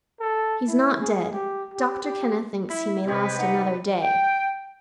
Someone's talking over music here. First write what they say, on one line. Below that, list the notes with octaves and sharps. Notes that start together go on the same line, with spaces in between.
He's not dead; Doctor Kenneth thinks he may last another day.
A4
E4
G#4
G4
G4
G4
E4 B5
C3 C4 G4 B4 C#5 D#5
D#4 F#5
G5